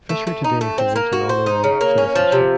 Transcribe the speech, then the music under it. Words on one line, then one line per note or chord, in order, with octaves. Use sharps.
Fischer today holds an honorary citizenship.
A3
A3
D#4
A3
C4
A#3
F#4
C5
D#4
C#3
A#3
C#4
F3
C3